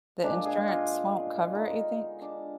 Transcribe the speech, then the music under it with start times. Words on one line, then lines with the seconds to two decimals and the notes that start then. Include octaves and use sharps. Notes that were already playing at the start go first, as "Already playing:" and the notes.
The insurance won't cover it, you think?
0.23 A#2 F3 G#3 D4
0.45 G#4
0.68 F4
1.55 D3 G#3 B3 D#4
2.21 D4